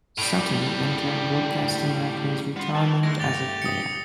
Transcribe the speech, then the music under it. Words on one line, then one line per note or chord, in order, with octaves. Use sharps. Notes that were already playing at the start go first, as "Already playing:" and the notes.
Sutton entered broadcasting after his retirement as a player.
A2 G3
G3 B3 F4
E3 A5
D3 G#3 A3 E4 A#6
G2 A3 G4 A6 F7
D#6 C#7